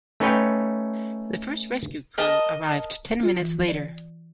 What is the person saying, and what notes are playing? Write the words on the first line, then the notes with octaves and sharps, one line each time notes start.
The first rescue crew arrived ten minutes later.
A3 C#4 D#4 B4 C#5 G5
A#4 D#5 A5 D#6
F4
E3
D5